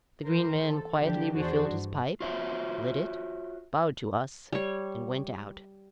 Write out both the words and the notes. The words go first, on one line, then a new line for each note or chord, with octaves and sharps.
The Green Man quietly refilled his pipe, lit it, bowed to us, and went out.
E3 A#4 C5
A4
D3 E3 F3 D4 G4
E2 E3 D4 F#4 G#4 C5
G2
F4 F#4 C5 C#5 E5
G3 C#5